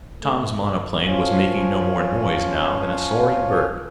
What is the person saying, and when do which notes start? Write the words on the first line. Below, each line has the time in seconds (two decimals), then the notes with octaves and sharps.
Tom's monoplane was making no more noise, now, than a soaring bird.
0.22 A3
1.04 F3 C#4 F4